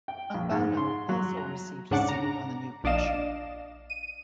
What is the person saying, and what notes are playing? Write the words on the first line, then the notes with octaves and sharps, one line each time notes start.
Mangano also received a seat on the new Commission.
G5
A#1
G#2
C6
F#3
A#5
G#2 C#3 D4 F#5 D6
A#5
A#1 D4 D5 D#5 F5 E7
D#7